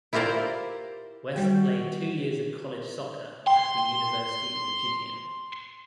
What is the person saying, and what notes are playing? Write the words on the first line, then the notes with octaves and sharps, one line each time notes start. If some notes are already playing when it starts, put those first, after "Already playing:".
West played two years of college soccer at the University of Virginia.
E4 F4 G4 A#4 C5 D5
D#3 G3 F#4 G5
G5 C6